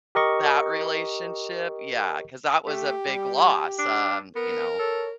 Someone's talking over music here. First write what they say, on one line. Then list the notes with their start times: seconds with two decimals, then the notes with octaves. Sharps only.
that relationship, yeah, 'cause that was a big loss, um, you know,
0.15 G4 A#4 D#5 C#6
2.67 A3 G4
3.07 G3
3.79 D4
4.36 B3 A#4
4.79 A4 C#5